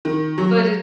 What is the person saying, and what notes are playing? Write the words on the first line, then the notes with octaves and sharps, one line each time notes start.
But it
D#3
F#3